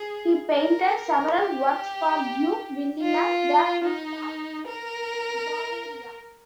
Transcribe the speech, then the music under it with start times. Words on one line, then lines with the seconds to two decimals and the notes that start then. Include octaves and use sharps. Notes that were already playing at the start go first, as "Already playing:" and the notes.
He painted several works for Duke William the Fifth of Bavaria.
Already playing: G#4
0.53 A#4
1.37 G4
3.01 F4
3.84 D#4
4.67 A#4